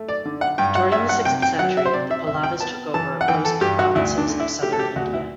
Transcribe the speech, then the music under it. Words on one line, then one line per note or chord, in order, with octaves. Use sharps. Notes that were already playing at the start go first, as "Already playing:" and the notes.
During the sixth century, the Pallavas took over most provinces of Southern India.
Already playing: A3
D5
D3
F#5
G2 G5
F#5
G2 E5
F#5
C3 G5
G5
F#3 F#5
E5
C5
C3 D5
E5
C2 E5
G5
B3 A5
E3 A5
F#5
E3 G5
A4
G2 G4
F#4
D2 E4
D4
D3
E4
A3 G4
A4
G4
D2 F#4
E4